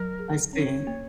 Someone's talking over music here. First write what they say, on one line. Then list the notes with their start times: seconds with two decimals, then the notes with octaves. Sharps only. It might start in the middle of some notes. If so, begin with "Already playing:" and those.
I see.
Already playing: F#3 A#4
0.19 G#4
0.53 C#4 C#5
0.87 A#3